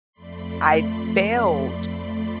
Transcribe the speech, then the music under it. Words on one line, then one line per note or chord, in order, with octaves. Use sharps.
I failed
F2 A3 D5 B5 C6